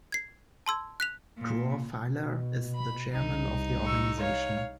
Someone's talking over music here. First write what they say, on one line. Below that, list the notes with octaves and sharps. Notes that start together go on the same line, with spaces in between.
Dror Feiler is the chairman of the organization.
G#6 C7
A5 C6 E6 G#6
F#6 B6 F7
A#2
B2
B5
C2 D#4
C#6 E6
C#5 F5